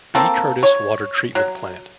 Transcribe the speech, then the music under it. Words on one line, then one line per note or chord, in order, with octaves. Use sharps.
B. Curtis Water Treatment Plant.
A#3 C4 A4
C#5
F#3